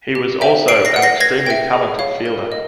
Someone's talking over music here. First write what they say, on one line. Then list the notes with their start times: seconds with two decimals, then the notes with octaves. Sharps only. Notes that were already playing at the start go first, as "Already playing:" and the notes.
He was also an extremely talented fielder.
0.15 G4
0.41 C5 E5 G5
0.68 B4 C7 D7
0.85 A#6 C7
0.94 D5 F#5
1.02 A#6 C7
1.20 B4 G#6 A#6
1.46 E5 G5
1.73 G#4
1.99 C#5 F5
2.26 A#4
2.52 D#5